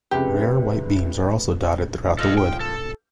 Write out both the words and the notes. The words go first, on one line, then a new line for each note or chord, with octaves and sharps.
Rare whitebeams are also dotted throughout the wood.
F1 C#2 C3 G4 B4
F3 A4 D#5
G5
A4